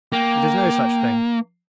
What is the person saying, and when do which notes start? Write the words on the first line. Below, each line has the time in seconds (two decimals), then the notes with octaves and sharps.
It is no such thing.
0.12 A#3 G5